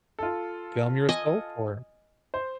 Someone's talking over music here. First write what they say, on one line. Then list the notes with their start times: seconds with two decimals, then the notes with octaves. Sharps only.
film yourself or
0.19 F4 A4
1.09 D#5 G#5
2.34 C5